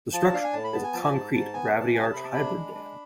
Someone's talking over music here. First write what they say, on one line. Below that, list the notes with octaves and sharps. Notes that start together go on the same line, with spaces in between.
The structure is a concrete gravity-arch hybrid dam.
F3 A5
D4 F5
G#5
A2 A5
B5
B3 A5
G#5
F3 A5
G#5
G#2 A5
G#2 A5
B3 G#5
A5
E3
A5
C3 G#5
A5
C3 B5
A5
D4 B5
G#3
D4